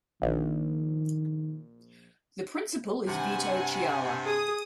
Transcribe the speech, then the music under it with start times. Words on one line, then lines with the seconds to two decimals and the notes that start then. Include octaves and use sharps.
The principal is Vito Chiala.
0.22 A#1 D#3
3.07 G2 C3 F#5 G#5
4.25 G#4 D#6